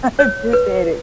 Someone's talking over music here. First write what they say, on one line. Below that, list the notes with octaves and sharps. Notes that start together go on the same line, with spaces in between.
I appreciate it.
C#5
B4